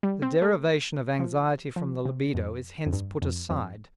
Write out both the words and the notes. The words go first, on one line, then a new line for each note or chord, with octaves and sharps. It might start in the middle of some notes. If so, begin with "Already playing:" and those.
The derivation of anxiety from the libido is hence put aside.
G3
C4
A3
F3
F3
C3
F2
F2
G2
F2
F2